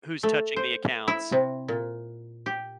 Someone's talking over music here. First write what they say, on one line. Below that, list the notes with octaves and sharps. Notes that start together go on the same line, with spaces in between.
Who's touching the accounts?
A3
C5
E4
C3
A#2
G4